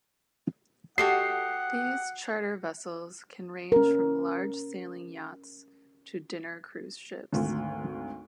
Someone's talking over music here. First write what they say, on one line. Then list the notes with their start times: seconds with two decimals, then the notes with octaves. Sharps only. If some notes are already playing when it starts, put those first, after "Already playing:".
These charter vessels can range from large sailing yachts to dinner cruise ships.
0.98 F#4 G4 A4 D#5 F#5 C7
3.72 C#4 A#4
7.33 G#1 D2